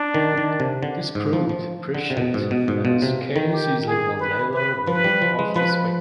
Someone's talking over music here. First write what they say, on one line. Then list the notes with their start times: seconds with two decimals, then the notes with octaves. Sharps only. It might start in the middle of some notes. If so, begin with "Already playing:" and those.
This proved prescient, as Cairns easily won Lalor with a healthy swing.
Already playing: D4
0.14 D#3
0.37 D#3
0.60 C3
0.83 D3
1.15 G#2
1.33 F3
1.49 F3
1.94 D3
2.10 C3
2.17 B2
2.34 G#2
2.51 B2
2.68 G#2
2.85 B2 F4
3.02 C3
3.36 D#3
3.52 G4
3.86 G#4
4.20 B4
4.54 B4
4.87 F3 B4
5.04 G3
5.22 F3
5.39 G#3
5.55 F3 B4